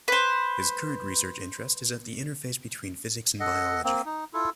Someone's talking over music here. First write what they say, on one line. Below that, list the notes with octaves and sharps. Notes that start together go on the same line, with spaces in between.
His current research interest is at the interface between physics and biology.
B4 C5
A4 D#5 F#5
A#3 C4
D#4
E4 F4 A4